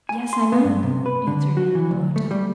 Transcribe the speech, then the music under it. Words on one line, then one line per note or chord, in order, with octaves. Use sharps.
"Yes, I know," answered Anne in a low tone.
G#5
C6
B3
G2
C3
B4
D3
F#4
E3
D2
A3
G3